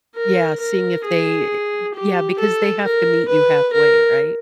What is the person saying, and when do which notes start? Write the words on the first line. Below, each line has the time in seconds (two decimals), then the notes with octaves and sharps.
Yeah, seeing if they eh yeah, because they have to meet you halfway, right?
0.16 A#4
0.60 A#4
1.05 G#4
1.94 G4
2.39 A4
2.85 A#4
3.29 B4
3.73 A#4